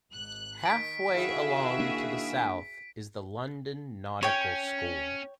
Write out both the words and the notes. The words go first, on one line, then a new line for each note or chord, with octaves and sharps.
Halfway along to the south is the London Nautical School.
G#1 F#6
D#3 B6 D7
D#3 E4 F#4 G#4 E5 F5
A#3 D4
C#4 C#5 G5